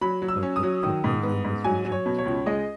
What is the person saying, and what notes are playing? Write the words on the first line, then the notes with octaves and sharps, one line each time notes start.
But the proposal was rejected.
F#3 B5
F#3
E6
C#4
D#6
F#3
D#3 D#6
G#2
B3
G#2
F#3 G#5
F#3
C#5
B2
C#5
C#2
G#3 D#5